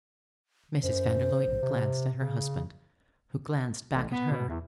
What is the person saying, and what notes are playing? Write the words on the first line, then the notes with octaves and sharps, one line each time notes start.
Mrs. van der Luyden glanced at her husband, who glanced back at her.
F#2 C5
A#1
C3
C#3
A1
B3
B2
E2